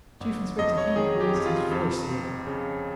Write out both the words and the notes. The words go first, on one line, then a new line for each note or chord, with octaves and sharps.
Chief Inspector Heat raised his voice a little.
G1
F2 D#5
C#5
D#3 G#4
G4
F2
F4
F2
F3
C#3